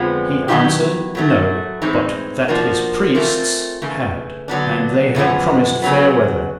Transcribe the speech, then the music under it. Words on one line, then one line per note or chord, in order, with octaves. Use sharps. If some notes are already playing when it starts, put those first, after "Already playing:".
He answered No; but that his priests had, and they had promised fair weather.
Already playing: F2 D3 F3 G#3 B3
D#3 F#3 B3 E4 G4
A2 F#3 A3
A2 E3 G#3 C4 D#4
F3 A#3 D4 F#4 A#4
E3 A3 C4 F4 A#4
C#3 E3 A3
D3 F#3 B3 D4
F#2 D3 F3 G#3 B3
C#3 F#3 B3